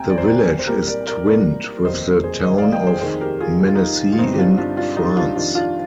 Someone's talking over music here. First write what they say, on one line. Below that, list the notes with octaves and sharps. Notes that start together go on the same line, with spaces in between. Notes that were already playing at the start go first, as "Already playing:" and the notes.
The village is twinned with the town of Mennecy in France.
Already playing: D2 C3 G3 A#3 G5 G#5 A#5
D5
C5
A#4 D5
C5
C2 A#2 G3 G4 A#4
A#4 D5
A#4 D5
A#4 D5
F1 D#2 D#3 A#3 C5 D#5
G#4 C5
C5 D#5
D5 F5
D#5 G5
G#4 C5
F1 D#2 D#3 G#4 C5
G4 A#4
F4 G#4
G4
F4
D#4 G4
F4
G1 G2 D3 C4 D#4
G4
D4 F4
D4 F4
D4 F4
D#4 G4
D4 F4
F2 D#3 G3 D4 F4
D4 F4